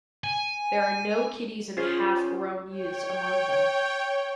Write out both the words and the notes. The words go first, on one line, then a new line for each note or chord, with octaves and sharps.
There are no kiddies and half grown youths among them.
G#5
C#4 F4 G#4 C5
C#5 G5